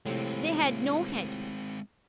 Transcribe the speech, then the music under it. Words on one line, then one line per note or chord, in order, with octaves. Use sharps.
They had no head.
A2 C3 F3 G#3 C4